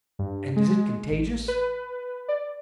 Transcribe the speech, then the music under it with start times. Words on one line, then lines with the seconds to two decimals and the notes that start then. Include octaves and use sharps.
"And is it contagious?"
0.19 G2
0.56 G#3
1.11 A1
1.48 B4
2.28 D5